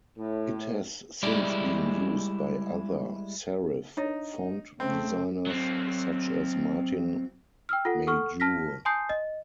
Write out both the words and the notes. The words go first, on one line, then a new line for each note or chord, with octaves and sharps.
It has since been used by other serif font designers such as Martin Majoor.
A2
G3 G#3 E4 D5
D4 D#4 C#5
C#3 A3 C4
F#3 C4
G5 E6 F6
F4 A4 F#5
A4 F#5 C#6 F6
A5 F6 A#6 B6
G#5 A5 C6 D#6 G6 C7
D#5